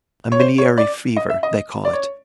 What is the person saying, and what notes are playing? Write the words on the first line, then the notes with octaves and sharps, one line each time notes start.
A miliary fever, they call it.
C#5
C5
C#5
D5
D#5
E5
D#5
D5
C#5